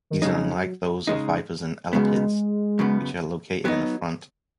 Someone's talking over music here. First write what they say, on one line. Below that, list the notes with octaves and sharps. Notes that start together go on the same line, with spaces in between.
These are unlike those of vipers and elapids, which are located in the front.
D#3
C#3 F#3 G#3 D#4
C#3 G#3 D#4
F#2 C#3 G#3 B3
F#2 C#3 B3
F#3 B3 D#4